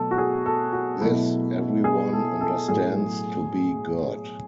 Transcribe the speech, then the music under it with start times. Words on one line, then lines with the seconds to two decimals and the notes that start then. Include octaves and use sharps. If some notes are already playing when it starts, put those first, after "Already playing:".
This everyone understands to be God.
Already playing: B2 F#3 A3 A4
0.11 F#4
0.18 G#4
0.46 A4
0.73 F#4
1.01 B2 F#3 A3 E4
1.84 G#4
2.13 A4
2.41 A4
2.68 A2 F#3 A3 G#4